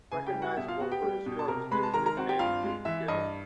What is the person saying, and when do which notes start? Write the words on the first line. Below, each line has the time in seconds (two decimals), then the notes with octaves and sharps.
Recognisable for his girth, he was nicknamed "Big Bill".
0.12 C#3 G#4 G#5
0.27 G4 G5
0.34 G3
0.42 F#4 F#5
0.57 B2 E5
0.68 F4 F5
0.80 B3 F#4 F#5
0.92 G4 G5
1.03 G3
1.26 B2
1.39 A5
1.48 C3 A#4 A#5
1.71 G#3 B4 B5
1.83 A5
1.94 D#3 A#4 A#5
2.06 A#4 A#5
2.17 C4 F#4 F#5
2.29 G4 G5
2.39 G2 F4 F5
2.63 G#3
2.85 E3 E5
3.08 G2 D#5